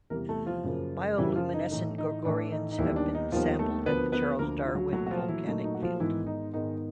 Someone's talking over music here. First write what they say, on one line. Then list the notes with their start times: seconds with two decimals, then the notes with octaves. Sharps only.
Bioluminescent gorgonians have been sampled at the Charles Darwin volcanic field.
0.10 E2 C3 E3 G3 A#3 A#4
0.29 A3 A4
0.46 F3 F4
0.64 F#2 C#3 F3 A#3
1.18 F#2 C#3 E3 F3 A#3 E4
1.36 F3 F4
1.54 D#4
1.71 A2 E3 A3 D#4
1.98 D#4
2.25 A2 E3 A3 D4
2.52 D#4
2.71 D#4
2.78 D#2 D#3 E3 G3 B3 E4
2.96 D4
3.15 D#4
3.32 D#2 D#3 F3 G3 B3 F4
3.59 A3 A4
3.86 D2 D3 F3 A#3 B3 B4
4.12 B3 B4
4.39 D2 D3 F3 A#3 A#4
4.66 F4
4.75 F#3 F#4
4.93 A#2 F#3 A3 F#4
5.06 F#4
5.11 F3 F4
5.29 E3 E4
5.46 A#2 F#3 A3 D#4
5.64 D#4
5.75 F#4
5.82 F3 F4
6.00 G#2 D#3 E3 G#3 B3 E4
6.27 D#4
6.53 G#2 D#3 G#3 B3 D#4